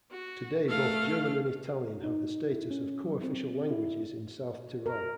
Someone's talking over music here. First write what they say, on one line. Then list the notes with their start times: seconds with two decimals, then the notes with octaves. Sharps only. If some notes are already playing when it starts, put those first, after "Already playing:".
Today both German and Italian have the status of co-official languages in South Tyrol.
0.11 F#4
0.68 A3 F5
2.04 D#4
2.51 E4
2.71 C#4
3.04 F#3
3.23 C4
3.70 E4
4.86 A#4